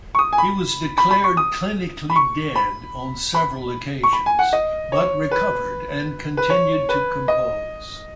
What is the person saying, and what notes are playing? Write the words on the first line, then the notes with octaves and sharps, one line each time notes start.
He was declared clinically dead on several occasions, but recovered and continued to compose.
C#6
D#6
G#5
B5
B5
B5
C#6
D#6
B5
C#6
B5
B5
C#6
B5
G#5
F#5
D#5
C#5
B4
B4
C#5
B4
D#5